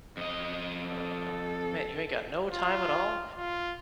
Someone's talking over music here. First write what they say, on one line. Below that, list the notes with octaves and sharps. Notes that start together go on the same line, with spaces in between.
uh, man, you ain't got no time at all?
F2 D#5
A4
F4
F4